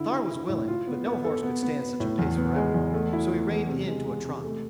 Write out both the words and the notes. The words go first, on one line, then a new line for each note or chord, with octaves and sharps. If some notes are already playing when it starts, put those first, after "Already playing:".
Star was willing, but no horse could stand such a pace forever, so he reined in to a trot.
Already playing: D3 E4
E4
E4
A2
F4
B3
B3
A4
B3
B3
B3
A2
E2
B3
G#3
E2
A3
E4
A3
E3
C3
G#3
G#3
C3
A3